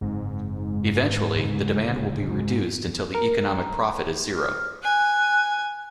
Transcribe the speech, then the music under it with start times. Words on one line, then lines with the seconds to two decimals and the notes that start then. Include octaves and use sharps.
Eventually, the demand will be reduced until the economic profit is zero.
0.01 F#1 G#2 C4
1.35 D1 C#3
3.15 A#4
4.35 F6
4.83 G#5 F#6